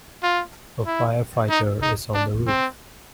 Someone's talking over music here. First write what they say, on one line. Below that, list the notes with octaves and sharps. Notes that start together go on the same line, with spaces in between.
A firefighter is on the roof.
F4
E4
D#4
D#4
D4
C4